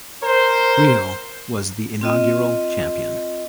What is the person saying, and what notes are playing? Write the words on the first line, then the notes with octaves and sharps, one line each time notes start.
Riho was the inaugural champion.
A#4 C5
C4 F4 D#5